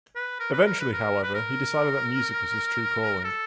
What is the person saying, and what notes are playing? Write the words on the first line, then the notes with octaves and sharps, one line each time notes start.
Eventually, however, he decided that music was his true calling.
B4
A#4
B4
A#4
B4
A#4
B4
A#4
A4